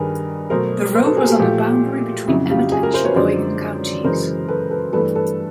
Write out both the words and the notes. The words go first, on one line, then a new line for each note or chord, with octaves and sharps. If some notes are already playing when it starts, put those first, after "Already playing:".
The road was on the boundary between Emmet and Cheboygan counties.
Already playing: G2 D#3 G3 G#4 A#4 B4
B2 F#3 A3 A#4 C5
A#4 C5
A4 B4
G#4 A#4
G4 A4
A#2 F3 A3 F4 G4
F2 C#3 F#3 E4 F#4
F4 G4
F#4 G#4
G#4 A#4
A#4 C5
B4 C#5
F#2 D3 F3 G#3 C5 D5
F#2 C#3 E3 G#3 A#4 C5
A4 B4
A4 B4
G2 E3 A3 A4 B4
A4 B4